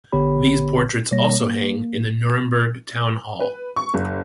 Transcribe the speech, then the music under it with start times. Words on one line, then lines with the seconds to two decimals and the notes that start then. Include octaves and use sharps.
These portraits also hang in the Nuremberg town hall.
0.12 A1 D3 B3 G4 C#5 B5
1.12 B2 G3 A#3 C#5 A#6
1.41 A#3
3.40 B4
3.76 C#6
3.94 F#1